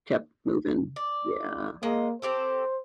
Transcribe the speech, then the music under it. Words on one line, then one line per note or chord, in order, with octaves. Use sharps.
kept moving. Yeah.
D5
G#3 A#3 D#5
C4 G4 A4 C5